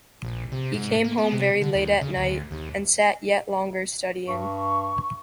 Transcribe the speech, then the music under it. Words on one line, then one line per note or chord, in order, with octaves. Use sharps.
He came home very late at night, and sat yet longer studying.
A#1
C3
G#2
A#3
B3
C3
D3
D#2
C#3
D2
D#2
G2 C#6